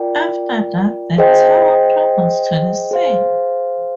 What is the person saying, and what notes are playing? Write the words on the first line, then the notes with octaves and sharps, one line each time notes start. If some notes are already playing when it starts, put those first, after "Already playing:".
After that, the tower crumbles to the sea.
Already playing: F4 A#4 D5 G5
G#4 C5 D#5 G5
G#4 C5 F5